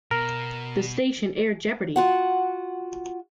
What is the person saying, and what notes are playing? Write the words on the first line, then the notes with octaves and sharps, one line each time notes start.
The station aired Jeopardy!
B2 A#4
F4 F#4 F#5